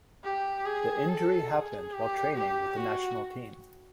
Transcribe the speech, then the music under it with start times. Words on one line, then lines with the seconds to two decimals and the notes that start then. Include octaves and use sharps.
The injury happened while training with the national team.
0.24 G4
0.66 G#4
1.09 A4
1.51 G#4
1.93 G4
2.35 G4
2.77 F#4